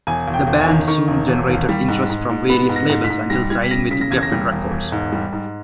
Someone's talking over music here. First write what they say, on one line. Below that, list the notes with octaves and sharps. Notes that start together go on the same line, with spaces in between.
The band soon generated interest from various labels until signing with Geffen Records.
E1 G#5
E1
G5
E1
G#5
D#3
D#3 C#6
E1
E1
D#2
G3
G#2
G#2
G#2
B3 B5
G#2
A#6
G#2
B6
G#2
G3 A#6
G3 G#6
B6
C#3 A#6
C#3 B6
A#6
E1 G#6
A#6
G3
E1
E1
G#2
G3
G#2